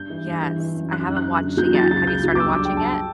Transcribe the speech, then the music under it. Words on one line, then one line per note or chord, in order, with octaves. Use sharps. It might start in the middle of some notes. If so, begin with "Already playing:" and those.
Yes, I haven't watched it yet. Have you started watching it?
Already playing: G2 G6
E3
G2
E3
E3
F#2
F#2 F#6
F#2
F#6
F#2
D3
F#3 G6
F#3 A6
C#2 A6
C#2 G6
F#3
D6
G2 E6
D6
G2
G5
G2 A5